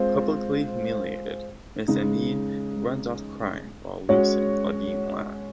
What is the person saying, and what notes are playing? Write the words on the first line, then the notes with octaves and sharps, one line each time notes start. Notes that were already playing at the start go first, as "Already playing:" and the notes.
Publicly humiliated, Miss Aimee runs off crying while Luce and Claudine laugh.
Already playing: G#3 C4 F4 C5
C#3 G#3 D#4
G#3 C#4 F#4 C#5